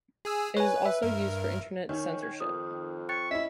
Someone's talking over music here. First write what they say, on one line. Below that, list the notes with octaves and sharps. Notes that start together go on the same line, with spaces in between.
It is also used for Internet censorship.
G#4 G#5 E6
B4 C#5 G#5
E5
G2 A#4
D#3 C#4 D#4 A#4
C#5 G#6
F2 D#6
G5 C#6 F#6 A6
C#4 E4 D#5 E5